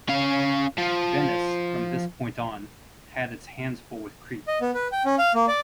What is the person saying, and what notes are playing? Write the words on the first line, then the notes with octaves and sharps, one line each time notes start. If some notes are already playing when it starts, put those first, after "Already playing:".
Venice, from this point on, had its hands full with Crete.
C#4 F5
F3
D#5
B3
B4
G5
C#4
F5
A#3
D5